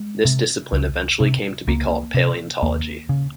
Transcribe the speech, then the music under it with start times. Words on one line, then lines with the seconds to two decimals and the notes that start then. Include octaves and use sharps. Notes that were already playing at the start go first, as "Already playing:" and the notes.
This discipline eventually came to be called palaeontology.
Already playing: G#3
0.25 C3
0.73 C#2
1.20 C3
1.68 C#2 A#3
2.14 C3
2.62 D#2 A#3
3.09 C#3